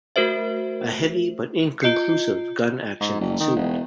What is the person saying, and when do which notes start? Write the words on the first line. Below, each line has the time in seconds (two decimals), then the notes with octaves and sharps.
A heavy, but inconclusive, gun action ensued.
0.16 A3 F#4 A#4 C5 E5
1.82 F4 D#5 G6 C7 C#7
3.00 G#2
3.20 F#1
3.40 D#3
3.56 E1